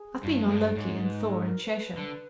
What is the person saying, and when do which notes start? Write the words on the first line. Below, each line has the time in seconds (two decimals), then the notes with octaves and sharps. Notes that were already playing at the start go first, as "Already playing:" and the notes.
"I've been on Loki and Thor and Shesha."
Already playing: G#4
0.23 G2 F#4
0.41 F#2 B4
0.50 G2
0.59 C5
0.76 G#2 C#5
1.02 B4
1.24 G#4
1.28 A4
1.46 A#4
1.63 B4
1.97 D3